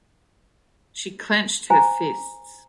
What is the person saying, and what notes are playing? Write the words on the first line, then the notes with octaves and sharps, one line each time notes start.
She clenched her fists.
C5 G#5 A#5